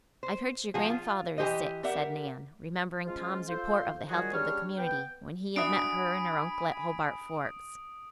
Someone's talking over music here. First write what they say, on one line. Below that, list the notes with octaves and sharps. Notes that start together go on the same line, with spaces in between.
"I've heard your grandfather is sick," said Nan, remembering Tom's report of the health of the community when he had met her and her uncle at Hobart Forks.
C5
F3 F#4 G#4
F4
E3 G#3 G4 C5 D#5
G4 A#4 D5 E5 F#5
F3 G#3 C#4 F4
F4 A4 C5
D#3 F#3 G3 F4 F#4 G#4
G3 C#4 D4 G#4 C#5 F6
B3 G5
D4 F#4 E5 G#5 B5 D#6 D7